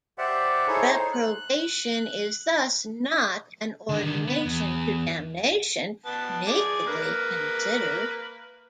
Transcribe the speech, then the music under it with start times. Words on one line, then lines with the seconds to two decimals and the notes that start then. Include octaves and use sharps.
Reprobation is thus not an ordination to damnation nakedly considered.
0.18 G4 C5 D5 E5 F#5
0.67 D#4 E4 G#4 A4 C5 C#5
0.92 D#4 C5
1.13 F#6
3.89 D3 D#3
4.28 B3
4.46 E2
6.05 B3 A5
6.47 G#4 D5
6.87 A#3 B4